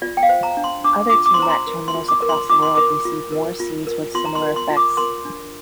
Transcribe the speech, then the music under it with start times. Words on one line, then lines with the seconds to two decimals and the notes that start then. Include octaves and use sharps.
Other T-Mat terminals across the world receive more seeds with similar effects.
0.02 F4 D5
0.17 G5
0.23 F5
0.29 C5
0.43 A#5
0.57 D4
0.64 C6
0.84 D4 D6
1.10 F4 D6
1.26 D6
1.34 C6
1.40 C5 A#5
1.49 C6
1.67 A#4
1.88 C6
1.95 F4
2.08 D6
2.22 A#4
2.29 C6
2.50 F4 D6
2.62 C6
2.75 A#4 D6
3.05 F4
3.32 A#4
3.60 F4
3.87 A#4
4.15 F4 C6
4.25 A#5
4.35 C6
4.42 A#4
4.56 C6
4.70 F4
4.77 D6
4.97 A#4 C6
5.25 D4